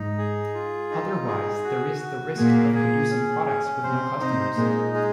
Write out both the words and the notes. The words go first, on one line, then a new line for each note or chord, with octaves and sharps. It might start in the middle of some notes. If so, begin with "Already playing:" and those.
Otherwise there is the risk of producing products with no customers.
Already playing: G#2 G#3 D#4
G#4
F4
D#4
G#4
F#4
F#4
A#2 A#3 G#4
G#4
C#4
C#4
C3 C4 C5
C3 C4 D#4
A#2 G#3 A#3
G#3